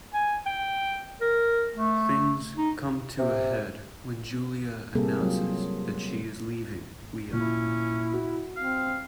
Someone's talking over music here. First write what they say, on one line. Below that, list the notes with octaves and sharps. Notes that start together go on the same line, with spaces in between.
Things come to a head when Julia announces that she is leaving Leo.
G#5
G5
A#4
A3
D#4
C3
C3 G3 A#3 C4 G#4 A4
F#3 F4
A#2 C#4 E4
F#4
C4 F5